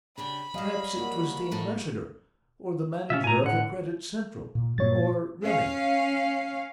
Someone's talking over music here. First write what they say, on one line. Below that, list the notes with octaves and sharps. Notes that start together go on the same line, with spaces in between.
"Perhaps it was the ambassador ... or the manager of the Credit Central ... or Remy."
C#3 D4 G4 B5
F#3 G3 G#4 D#5 F5
A#3 F#4
A2 A3 D#4
C3 C#4 F4 E5
A2 G#5 A#5
A2 D3 F#5
A#2
G2 A#2 F#3 C#5 A6
C#4 F5